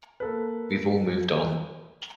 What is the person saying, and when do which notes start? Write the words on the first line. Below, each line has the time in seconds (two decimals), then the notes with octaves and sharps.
We've all moved on.
0.20 A#3 A4 B4